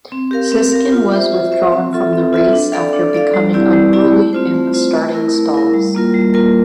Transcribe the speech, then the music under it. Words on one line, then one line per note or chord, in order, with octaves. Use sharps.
Siskin was withdrawn from the race after becoming unruly in the starting stalls.
C4
G4 A#4 F5
C4
G4 A#4 F5
F4
C5 E5
F4
C5 E5
C4
F4 A4 E5
C4
F4 A4 E5
D4
A4 D5 F5
D4
A4 D5 F5
G3
C4 E4 G4 D5
G3
C4 E4 G4 D5
A3
C4 F4 C5
A3
C4 F4 C5
A3
E4 A#4
A3
E4 A#4
G3
A#3 F4 A#4
G3
A#3 F4 A#4